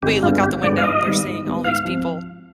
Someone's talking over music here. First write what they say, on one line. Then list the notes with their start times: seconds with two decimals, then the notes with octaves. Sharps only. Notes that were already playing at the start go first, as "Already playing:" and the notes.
we look out the window and we're seeing all these people
0.03 G#1 G4
0.23 G2 D3 G#3 B3 F4
0.43 G#1 G4
0.63 G2 D3 G#3 B3 D5
0.78 F5
0.84 G#2 D#5
1.04 D#3 G3 B3
1.25 G#2
1.45 D#3 G3 B3
1.64 G#2 F5
1.85 F3 C4 F4